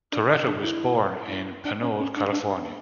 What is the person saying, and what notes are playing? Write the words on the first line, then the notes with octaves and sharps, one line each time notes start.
Torretta was born in Pinole, California.
D4
E4
D4
E4
D4
C#4
C#4
D4
D4